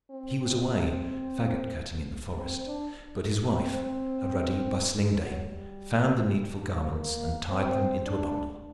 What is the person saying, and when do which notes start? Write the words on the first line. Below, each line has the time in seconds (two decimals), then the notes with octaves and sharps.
He was away faggot-cutting in the forest, but his wife, a ruddy bustling dame, found the needful garments and tied them into a bundle.
0.11 C4
2.39 C4
2.67 D4
3.53 C4
3.81 C4
5.22 F#3
5.51 G3
6.92 A#3
7.50 C4
8.06 D4